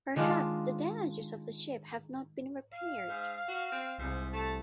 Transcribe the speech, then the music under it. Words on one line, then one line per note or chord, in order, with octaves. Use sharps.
Perhaps the damages of the ship have not been repaired.
D#3 G#3 D4 F4
F5
G#2
F#4
C4
C2 G#2
A3 A5